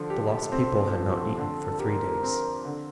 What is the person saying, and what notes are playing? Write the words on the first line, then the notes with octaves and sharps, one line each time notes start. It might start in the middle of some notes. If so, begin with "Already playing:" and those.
The lost people had not eaten for three days.
Already playing: D3 F3 A4
G4
C4
F3
D3
G4 A#4
C4
D3